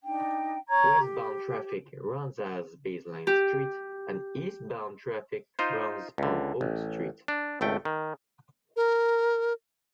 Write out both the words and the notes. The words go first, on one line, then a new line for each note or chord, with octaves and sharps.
Westbound traffic runs as Baseline Street and eastbound traffic runs on Oak Street.
D4 D#4 G5
C#5 A#5 C#6 G#6
G4
G4
D#4 F4 C5
C#2 D3
A1
D4
G#1 C#2 A3 G5
D#3
A#4